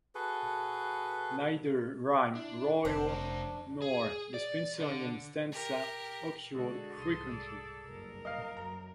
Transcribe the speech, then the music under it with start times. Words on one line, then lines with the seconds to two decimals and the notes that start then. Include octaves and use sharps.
Neither rhyme royal nor the Spenserian stanza occurred frequently.
0.15 F#4 G#4 A4 B4
2.35 D4 E4
2.85 F1 C4 D4 C5
3.09 C#4 A#4
3.82 G#4
4.34 D5
4.80 D3
5.52 G4 A#4
6.53 D3 G#3 F#4 G#4 A4
6.99 C2 G#2 C6 D#6
7.29 D5
7.87 F#1 G2 A#4
8.25 D#5 F5 F6
8.57 F#2 A#5